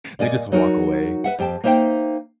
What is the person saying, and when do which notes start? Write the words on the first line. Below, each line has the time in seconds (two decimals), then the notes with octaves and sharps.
They just walk away,
0.19 A#2 D5 D#5 G#5
0.52 F#3 D#4 F#4 A#4
1.24 B4 E5 F#5
1.39 F2 G4 G5 A5
1.64 A#3 D#4 C5 E5 G5